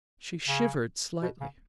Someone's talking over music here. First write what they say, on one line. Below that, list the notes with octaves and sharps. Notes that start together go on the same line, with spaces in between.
She shivered slightly.
C#3
B2
C#3